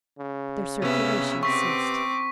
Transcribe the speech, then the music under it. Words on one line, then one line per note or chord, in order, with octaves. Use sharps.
There circulation ceased.
C#3
C3 B3 C#4 E5
C4 C#6 D6 B6